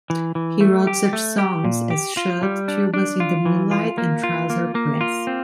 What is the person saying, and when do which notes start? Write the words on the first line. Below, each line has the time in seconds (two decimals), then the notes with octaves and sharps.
He wrote such songs as "Shirt", "Tubas in the Moonlight" and "Trouser Press".
0.10 E3
0.35 E3
0.61 A3
0.87 G4
1.13 A3
1.38 G4
1.64 A#2
1.90 G4
2.17 F4
2.43 G3
2.68 D4
2.94 D4
3.20 F4
3.46 E3
3.71 F4
3.98 A#3
4.23 F4
4.50 A#3
4.75 A#3
5.01 F4
5.27 C4